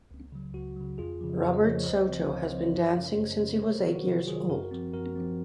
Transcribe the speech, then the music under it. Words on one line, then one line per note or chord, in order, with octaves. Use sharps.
Robert Soto has been dancing since he was eight years old.
C#2
C#3 F#3
C#2 F#4
C#3 F#3
F2 F4 G#4
C#3 F3
F2 G#4 C5
D#5
C#3 F3 A#4 C#5
C#5
C#2 C5 D#5
C#3 F3 C4
C#2 C#5 F5
C#3 F3 C4 C5 D#5
A#4 C#5
F#2
C#3 G#3 C#4
F#2 C5 D#5
C#3 G#3 C#4
C3 A#4 C#5
G#4 C5
D#3 F#3 F#4 A#4
F#4
C3 F#4
D#3 F#3 F4 G#4
F#2 F#4 A#4
F3 C4
F#2 F#4 A#4
F3 C4